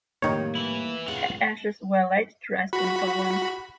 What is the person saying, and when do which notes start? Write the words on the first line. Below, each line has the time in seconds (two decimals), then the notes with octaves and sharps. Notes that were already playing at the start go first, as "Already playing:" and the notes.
Her ashes were laid to rest in Poland.
0.22 F2 A2 D#3 G3 A#3 C#5
0.55 E3 E4
1.08 C#3 B3 F4 F#5
2.73 F#4 B5